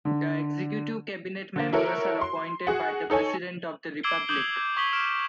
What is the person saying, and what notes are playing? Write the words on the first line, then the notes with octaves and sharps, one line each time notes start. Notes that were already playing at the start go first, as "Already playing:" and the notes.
The Executive Cabinet members are appointed by the President of the Republic.
D3
D3 A#3
E4 F#4 A4 A#4 C#5
C6
F#4 G#4 F#5
D#4 A4 C#5 G#5
D6 E6 G#6 C7 D7 G7
D6 D#6 G6 F#7 G7
C#6 D#6 B6 F#7 G7
C#6 F6 D7 E7